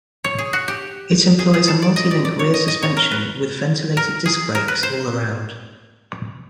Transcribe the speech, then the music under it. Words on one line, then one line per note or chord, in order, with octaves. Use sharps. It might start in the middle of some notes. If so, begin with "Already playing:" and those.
It employs a multilink rear suspension with ventilated disc brakes all around.
C#5
G#4
F#4
G4
G#4
G#4
A4
D5
D#5
D5
D5
C#5
D#5
D#5
C#5
A#4
B4
A#4
G#4
A#4
B4
C5